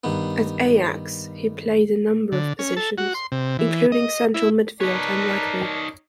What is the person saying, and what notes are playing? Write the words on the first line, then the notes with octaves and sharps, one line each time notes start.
At Ajax he played a number of positions, including central midfield and right wing.
G2 D#3 B3
D3
C#4
A4
F#4
C6
C3
E3
D#5
E4
D#4 A#4 B4 C#5 D5 A5